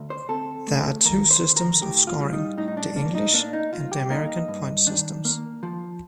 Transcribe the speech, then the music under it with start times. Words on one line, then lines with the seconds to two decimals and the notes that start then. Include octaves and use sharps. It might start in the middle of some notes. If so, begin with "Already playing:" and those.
There are two systems of scoring: The English and the American point systems.
Already playing: D2
0.10 C5
0.29 C4 A4
0.68 A3
1.05 D#2 A#4
1.31 C5
1.43 D3
1.57 A#4
1.82 A2 G4
2.07 F4
2.20 G3
2.33 D#4
2.58 A2 D#4
2.68 D#4
2.77 D4
2.96 A#3 D4
3.15 D#4
3.34 A#3 D4
3.53 D#4
3.72 C2 F4
3.92 G4
4.10 A#3 D#4
4.48 G2
4.87 D#3 D4
5.25 A#3
5.63 F3